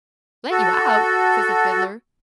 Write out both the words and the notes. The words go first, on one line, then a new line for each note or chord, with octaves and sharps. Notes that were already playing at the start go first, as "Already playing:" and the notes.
"Let you out?" says the Fiddler.
F#4 A4